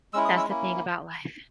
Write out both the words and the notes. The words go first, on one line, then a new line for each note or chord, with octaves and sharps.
That's the thing about life.
G#3 C#4 E4 E6
D#6
E6
A#3 C#4 E4